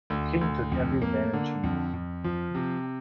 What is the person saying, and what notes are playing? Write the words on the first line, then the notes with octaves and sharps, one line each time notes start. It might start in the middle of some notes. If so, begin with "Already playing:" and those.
King took every advantage he knew.
D2
D2
F2
A#3
D3
F2
F2
F3
C3